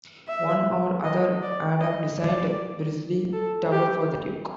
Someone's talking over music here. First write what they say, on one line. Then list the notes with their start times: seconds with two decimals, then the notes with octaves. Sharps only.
One or other Adam designed Brizlee Tower for the duke.
0.28 E5
1.04 D#5
1.43 D5
1.80 D#5
2.19 D5
3.33 A4
3.72 G4